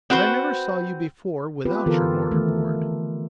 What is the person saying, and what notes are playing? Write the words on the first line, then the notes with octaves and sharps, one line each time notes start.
But I never saw you before without your mortar-board.
C4 F#4 B4 C5
B3 C4 F4 G4 B4
D3 E3 B3 F4 A4 A#4
D#3 E3 A3